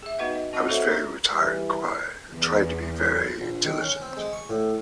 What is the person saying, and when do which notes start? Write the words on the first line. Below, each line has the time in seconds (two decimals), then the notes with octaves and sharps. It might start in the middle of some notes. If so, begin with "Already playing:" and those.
I was very retired and quiet, and tried to be very diligent.
0.03 G#4 E5
0.19 B3 D#4 F#4 B4 D#5 F#5
0.35 D#5
0.53 C4 F#4 D#5 F#5 B5
0.68 F#4 A4 C5 C#5 E5 F#5
0.89 D4 C#6
1.33 E3 G3 E4
2.33 E2
3.41 A#1
3.65 D#3
3.81 C#4
4.02 C4
4.17 G#3
4.33 C#6
4.49 A2